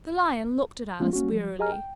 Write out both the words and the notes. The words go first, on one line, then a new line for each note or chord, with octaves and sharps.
The Lion looked at Alice wearily.
F3 G#3 A3 B3 C#4 F4
A#3 C#4 F#4
F3 G3
G4 G#4 D#5 G#5 A#5 F6
G5